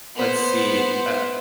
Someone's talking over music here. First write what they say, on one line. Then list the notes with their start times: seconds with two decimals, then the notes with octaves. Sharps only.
Let's see, uh
0.16 B3 C5